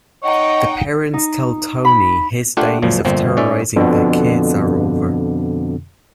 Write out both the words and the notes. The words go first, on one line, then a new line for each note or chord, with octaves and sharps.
The parents tell Tony his days of terrorizing their kids are over.
D#4 C#5 D#5 F#5 G5
D#4
B5
A3 D4 F4 G4 F5 F#5
C#2 F#2 A#2 F3
G1 F2 A#2 F3 C4
G#2 C#4 D5 E5
F2 B2 D3